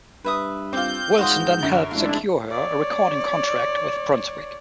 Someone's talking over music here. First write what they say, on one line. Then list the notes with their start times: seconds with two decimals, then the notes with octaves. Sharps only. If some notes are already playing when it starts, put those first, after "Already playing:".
Wilson then helped secure her a recording contract with Brunswick.
0.24 G2 B4 E5 D#6
0.73 C4 F4 D6 G6
1.19 G#2 F#4 C6 D#6
1.62 F#2 D3
1.91 F1 G#3 D4 E4 F5
2.51 C#5 D5